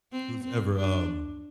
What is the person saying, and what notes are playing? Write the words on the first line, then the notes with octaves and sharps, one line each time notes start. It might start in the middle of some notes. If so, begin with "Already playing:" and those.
who's ever um,
C4
C4
D4